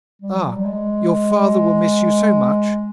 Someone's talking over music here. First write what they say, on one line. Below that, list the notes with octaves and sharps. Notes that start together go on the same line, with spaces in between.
'Ah,--your father will miss you so much!
G3
F3
F#3
G3
G#3